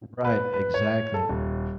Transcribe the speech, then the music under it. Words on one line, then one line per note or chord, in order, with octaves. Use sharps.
Right, exactly.
B4
B4
C#5
A4
D#1